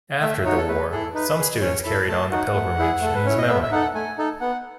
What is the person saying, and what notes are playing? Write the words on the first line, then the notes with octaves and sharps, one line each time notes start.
After the war, some students carried on the pilgrimage in his memory.
A3 E5
D#4 F#4 C#5
A4
A3 B4
E4 G#4 A4
D#4 B4
G#4
C#4 C#5
E4 A4 B5
A3 A5
D#4 F#4 F#5
A3
E4 G#4
A3 A4
B4
C#4 E4 C#5
D#5
B3 E5
E5
D#4 A4 F#5
A3 G#5
D#4 A4
B3 F#5